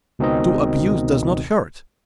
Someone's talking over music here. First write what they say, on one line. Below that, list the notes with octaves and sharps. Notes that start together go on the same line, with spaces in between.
To abuse does not hurt.
C#2 B2 D#3 C4 D#4 D#5